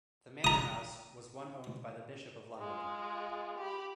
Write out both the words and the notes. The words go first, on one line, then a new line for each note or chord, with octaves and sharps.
The manor house was one owned by the Bishop of London.
A#5 D#6
G#3 F4
G4 B5